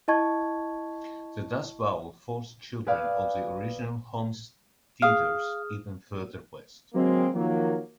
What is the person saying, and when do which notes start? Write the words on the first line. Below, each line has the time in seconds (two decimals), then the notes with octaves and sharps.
The Dust Bowl forced children of the original homesteaders even further west.
0.08 E4 D#5 A5 C#6 G#6
2.87 G#4 B4 D5 F5
5.02 G#4 F5 D#6 F6
6.94 D3 F#3 G#3 A#3 C4
7.35 D#3 F3 F#3 A#3